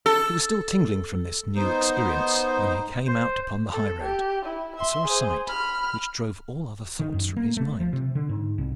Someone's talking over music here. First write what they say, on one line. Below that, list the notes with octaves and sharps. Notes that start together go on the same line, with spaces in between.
He was still tingling from this new experience when he came out upon the high-road and saw a sight which drove all other thoughts from his mind.
A4
B3 D#4 C5
C5
A4
G4
E4
E5 C6
G#4 C5
B5 F6
D#3
F#2
A#3
A3
F3
C3
D3
G#2
C2